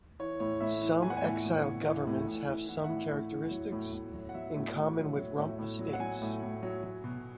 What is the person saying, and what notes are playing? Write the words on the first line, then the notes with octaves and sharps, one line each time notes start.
Some exiled governments have some characteristics in common with rump states.
E3 C#5
A2 C#5
A2 E5
E3
E3 G#5
F#5
G#5
A2
A2
E3
E3
A2
A2
E3
E3 F#5
E5
A2 F#5
A2
E3
F#3
A2
A2
F#3
F#5
F#3 E5
A2
A2
F#3
F#3
A2
A2
F#3
F#5
F#3 G#5
A2
A2
F#3
F#3
B2